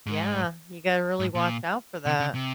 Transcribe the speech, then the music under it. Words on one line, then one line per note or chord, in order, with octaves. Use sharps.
yeah, you gotta really watch out for that.
G#2
G#2
A#2
C3
C#3
C3